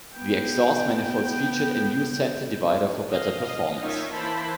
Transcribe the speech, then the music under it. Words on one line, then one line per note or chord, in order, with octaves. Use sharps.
The exhaust manifolds featured a new center divider for better performance.
B3 G5
D#5 F5
C#4 D#4 F4 A#4 C#5 E5
E3 A#3 E4 C5 A5 B5